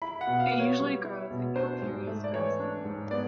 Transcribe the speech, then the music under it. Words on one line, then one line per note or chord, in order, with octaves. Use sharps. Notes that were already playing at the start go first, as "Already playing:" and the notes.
It usually grows in calcareous grassland.
E4 B5
F#5
B2
F5
B3
C#5
G3
E4
B2
D4 C5
G#2
A3
D5
E3 C#5
D4
G#2
B3 D5